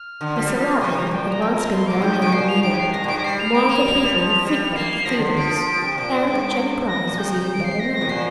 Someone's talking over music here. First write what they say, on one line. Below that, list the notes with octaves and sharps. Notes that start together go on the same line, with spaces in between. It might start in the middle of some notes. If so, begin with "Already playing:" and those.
Mr. Ladley had once been well known in New York among the people who frequent the theaters, and Jennie Brice was even better known.
Already playing: F6
D3
F3
G3
F3
C3 C6
A#5
C3
A#2 G5
A#5
F2 G5
A#5
C6
A#2 D6
G2 G6
C3 D7
A#2 C7
F7
G2 D7
C7
F2 A#6
A#2
G2 D7
A#6
G3 C7
F7
C4 D7
A#3 F7
G3
A#3
G3
F3 F7
G3
A#3 C7
F3 A#6
D3
C7
D3
F3 D7
F3
C3
A#2 D7
A#6
G2 D7
A#6
A#2
C3 G6
G6
D7
C7
A#6
A#6
C3
A#2 C7